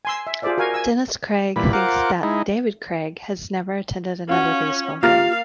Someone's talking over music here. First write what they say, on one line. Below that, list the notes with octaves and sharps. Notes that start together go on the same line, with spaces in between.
Dennis Cregg thinks that David Cregg has never attended another baseball game.
G#5 C6 E6
E5
F4 G#4 A4 C5 D5 E5
F#4 A#4 F5 G#5
G#5 E6
A#2 E3 G3 B5
F4 A#4 C5 F#5 D6
G#3 D#4 E4
C#4 F4 F#4
A#3 F4 G4 F5 A#5 F6 A6